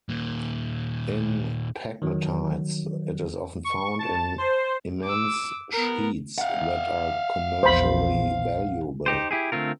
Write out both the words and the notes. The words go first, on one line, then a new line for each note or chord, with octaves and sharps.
In pegmatites, it is often found in immense sheets that are commercially valuable.
D#2 A#2
D#3 F#3
C#6
A5
C5
D6 E6
B3 A#4
F5 F#5
A#1 E2 C5 B5
D#4 G4 C5
E4 G4 G#4
D3 A3 C4 F4 A#4